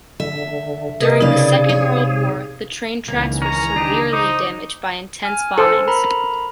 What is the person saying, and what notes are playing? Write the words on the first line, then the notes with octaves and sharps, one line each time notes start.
During the Second World War, the train tracks were severely damaged by intense bombings.
D3 E5
C3 G#4 A#4 B4 D#5
C#3 D#4 D5 F5
C#5
C#2 D#3 E3 A#3
C#4 C#5 A#5
D4 D#4 G4
D#4 C5 D6 D#6
G#5 F6
A4 C5
A#4 A#5 B5